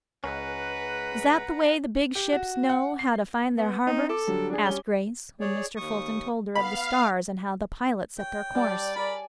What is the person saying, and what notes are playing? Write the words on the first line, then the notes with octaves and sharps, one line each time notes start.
"Is that the way the big ships know how to find their harbors?" asked Grace, when Mr. Fulton told her of the stars, and how the pilots set their course.
C#2 G#3 C#4 B4 F#5 A#5
G4
F#4
F#5
C7
B3
C4 D#4
A4 D6
D3 F#3 G3
D4 G#4
G3 C#4 G7
G#4 C#5 D5
D#2 C#6 D#6
B3 F5 B5
C#5 G5
G3 D5 A5
A#4 G#5 B5